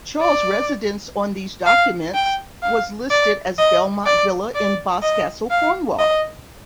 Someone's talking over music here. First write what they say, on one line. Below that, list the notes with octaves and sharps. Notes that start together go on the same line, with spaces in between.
Charles' residence on these documents was listed as Belmont Villa in Boscastle, Cornwall.
D5
F5
G5
F5
D5
D#5
D5
D5
D#5
F5
D#5